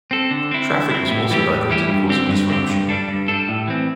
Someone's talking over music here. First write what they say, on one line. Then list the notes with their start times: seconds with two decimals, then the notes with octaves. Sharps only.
Traffic was also diverted causing disruption.
0.11 C4 A4
0.31 D3
0.51 C4 E4
0.71 D3
0.91 C4 E4
1.11 A2
1.30 E3 G3 E4 G4
1.50 A2
1.70 E3 G3 E4 G4
1.89 G2
2.09 D3 C4 G4
2.29 G2
2.49 D3 C4 G4
2.69 G2
2.89 G3 D4 A4
3.08 G2
3.28 G3 D4 A4
3.48 A2
3.68 E3 C4